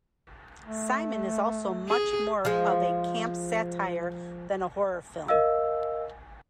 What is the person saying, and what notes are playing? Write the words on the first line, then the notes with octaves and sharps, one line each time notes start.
"Simon" is also much more of a camp satire than a horror film.
A3
G#4
F3 G#3
A#4 D#5 F5 E6